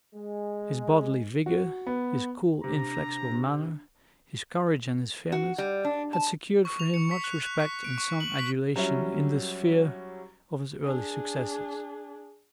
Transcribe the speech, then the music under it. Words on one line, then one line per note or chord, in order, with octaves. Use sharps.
His bodily vigour, his cool inflexible manner, his courage and his fairness, had secured for him much respect and some adulation in the sphere of his early successes.
G#3
F#4
B3
C3 D4 A#5
F#4
G3
D4
A5
C#6
F7
C#7
B6
F#6
F#6
B6
D7
C#6
F#7
B6
F#3 G3 C#4 E4 C#5
D4 G#4